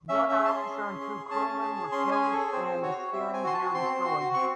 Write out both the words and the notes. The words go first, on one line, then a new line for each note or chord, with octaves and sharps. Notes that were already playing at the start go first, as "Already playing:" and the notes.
One officer and two crewmen were killed and the steering gear destroyed.
C#4 E5
C#4
E5
G#4
A5
C6
G#4
C#4
C#4
G#4
G#4
C#4 A5
C#4
G#4
G#4
C#4 C6
C#4 G#5
G#4
A4
G#4
C4 C5
C4
F#4 C#5
F#4
C4 E5
C4
G#5
F#4 C6
F#4 A5
C4 C6
C4
F#4
F#4
C4 C#6